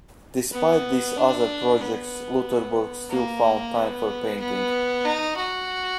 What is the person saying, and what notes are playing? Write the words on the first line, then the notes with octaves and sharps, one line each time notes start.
Despite these other projects, Loutherbourg still found time for painting.
B3
D4
B3
A#3
B3
B3
D#4
F#4